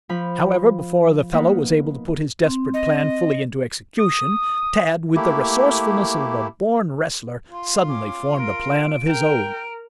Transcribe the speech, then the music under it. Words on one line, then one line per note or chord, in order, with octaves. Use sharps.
However, before the fellow was able to put his desperate plan fully into execution, Tad, with the resourcefulness of a born wrestler, suddenly formed a plan of his own.
F3 B5
A#3 B3 D#4 B4
C4
D#5
D#6
A3 A#3 E4 G4
F4
C#4 D6
A#4 D7
A#4 G5